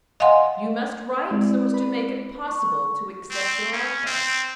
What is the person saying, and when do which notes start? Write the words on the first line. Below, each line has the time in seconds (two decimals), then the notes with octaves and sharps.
"You must write so as to make it possible to accept your offer."
0.20 D#5 F5 F#5 G#5 C6
1.31 G#3 C4 E4 D5
1.74 B4 B5
2.48 C#6
3.31 C4
3.72 C#4
4.06 C4